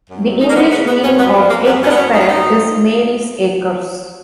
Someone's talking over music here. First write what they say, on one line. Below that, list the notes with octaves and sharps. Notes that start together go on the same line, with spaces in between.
The English meaning of Acrefair is Mary's Acres.
F#2
F#2
F3 D#4
A#3
F3 B3
C#3 B3
C#3 B3
F#2 C#4
F#2 B3
F3
F#2 A#3
F#2 B3
F#2 C#4
B3
F#2 C#4
F3 D#4
F4
F#2 D#4
F3